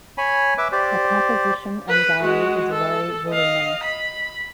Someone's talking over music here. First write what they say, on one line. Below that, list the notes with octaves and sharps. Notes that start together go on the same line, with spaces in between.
The composition in Gauri is very voluminous.
C#5 G#5 B5
B4 E5 D6
G4 C5 D5
B4
G#3 F#4
A4
D#5 F5
B5